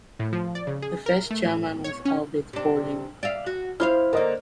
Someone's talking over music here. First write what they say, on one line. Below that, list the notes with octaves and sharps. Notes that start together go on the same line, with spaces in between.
The first chairman was Albert Ballin.
A2
F3
D5
C#3
G#4
A#4
A3
A2
C#5
C#4
C3 D4
D5 E5 F5
F#4
E4 C5 D#5 F5 F6
D3 A#3 A#4 C5 D#5